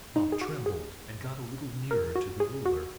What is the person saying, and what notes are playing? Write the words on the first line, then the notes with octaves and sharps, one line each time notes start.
Bob trembled, and got a little nearer to the ruler.
D#4
G#4
F#4
G#4
A#4
F#4
G#4
F#4